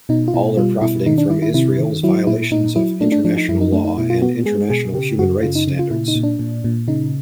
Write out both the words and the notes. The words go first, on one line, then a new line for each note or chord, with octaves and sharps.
All are profiting from Israel's violations of international law and international human rights standards.
B2 D#4
F4
B2 E4
G3 F4
B2 E4
D#3 D#4
D4
D#3 E4
E4
C3 E4
D#3
F#3 E4
A#2 E4
A#2 D#4
F#3 E4
A3 D4
D4
F3 D4
D#4
F#2 E4
D#4
A3 D4
D#4
B2 E4
F4
B3 F#4
G#3 G#4
B2 G#4
C#3 G4
F#2 F#4
C#3 F4
D#4
C#3
F4
A#2 E4
D#4
A#2
D4
A#2
A#2
C#3 D#4